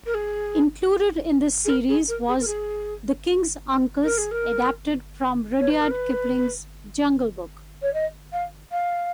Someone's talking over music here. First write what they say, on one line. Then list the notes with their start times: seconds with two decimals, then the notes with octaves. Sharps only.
Included in this series was "The King's Ankus", adapted from Rudyard Kipling's "Jungle Book".
0.06 A#4
0.14 G#4
1.65 G#4
1.69 A#4
1.89 G#4
2.08 A#4
2.28 G#4
2.41 A#4
2.47 G#4
4.04 A#4
4.18 G#4
4.31 A#4
5.60 C#5
5.70 B4
5.81 A#4
5.91 B4
7.82 C#5
7.94 D#5
8.33 F5
8.72 F5